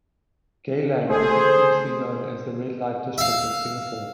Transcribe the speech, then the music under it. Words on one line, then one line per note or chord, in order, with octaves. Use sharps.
Geylang is infamously known as the red-light district of Singapore.
A3 G#4 C5
E5 F5